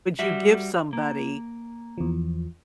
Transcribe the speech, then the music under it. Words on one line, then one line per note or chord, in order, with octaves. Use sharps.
would you give somebody
G3 F#4 E5
A#3
E2 F3